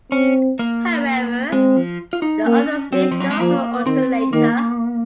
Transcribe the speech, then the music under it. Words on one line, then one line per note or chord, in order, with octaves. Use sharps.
However, the others didn't know her until later.
C4 C#4
A#3
G#3 C4
F3
F4
D#4
A#3 C#4
F#3 C4
F3
F#3
G#3
F3 A#3
D#3 C4
D#3 A#3